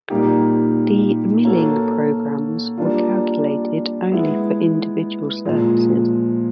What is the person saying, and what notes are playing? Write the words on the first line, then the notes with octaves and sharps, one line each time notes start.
The milling programs were calculated only for individual surfaces.
A#2 G3 A#3 D#4 G4
A#3 C#4 F#4 A4
G3 A#3 D4 F4
G#3 B3 E4
A#2 F3 G#3